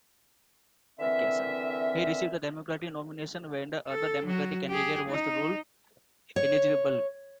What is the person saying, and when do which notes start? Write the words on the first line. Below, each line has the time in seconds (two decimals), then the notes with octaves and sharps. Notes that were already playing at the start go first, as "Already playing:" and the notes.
He received the Democratic nomination when the other Democratic candidate was ruled ineligible.
0.99 D3 E3 C4 A#4 E5
3.88 A4
4.25 F#3 F#4
4.69 G4 G#4
5.08 D#4
6.36 C#5